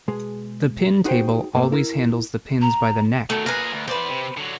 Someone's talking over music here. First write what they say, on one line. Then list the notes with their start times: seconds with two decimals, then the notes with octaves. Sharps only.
The pin table always handles the pins by the neck.
0.08 B2 G#3 G#4
1.05 D#4 F#4 G#4 C5 C#5 G5
1.53 B1 G#2 A3 A#3
1.72 E4 A#4
2.62 A#5
3.30 D#3 F#3 A3
3.46 A#2 G#4 A#4 B4
3.72 D2
3.88 E2 B4 C5 D5
4.10 C3
4.37 D3 F#3